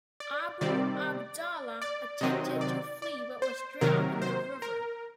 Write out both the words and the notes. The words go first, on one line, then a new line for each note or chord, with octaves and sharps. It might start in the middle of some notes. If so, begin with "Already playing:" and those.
Abu Abdallah attempted to flee but was drowned in the river.
D5
C3 D#3 G3 C4 D5
D5
C3 D#3 F#3 C4 D#5
D5
D5
C5
C3 D#3 F#3 A#4
C5
A#4